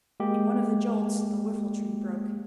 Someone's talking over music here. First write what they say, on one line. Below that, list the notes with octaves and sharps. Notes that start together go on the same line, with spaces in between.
In one of the jolts, the whiffle-tree broke.
G#3 A#3 G4